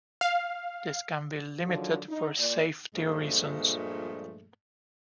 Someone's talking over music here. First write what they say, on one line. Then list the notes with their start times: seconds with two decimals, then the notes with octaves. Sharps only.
This can be limited for safety reasons.
0.21 F5
1.64 D3 D#3 F3 F#3
2.07 D#4
2.38 A#2 D5
2.95 G2 A#2 F3 G#3 A3